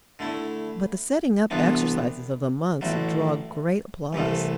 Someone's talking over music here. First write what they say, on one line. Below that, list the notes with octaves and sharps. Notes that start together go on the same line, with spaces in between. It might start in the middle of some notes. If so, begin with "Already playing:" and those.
But the setting-up exercises of the monks draw great applause.
D3 A3 E4
C2 C3 E3 B3 D4
A1 A2 F#3
C2 C3 E3 A3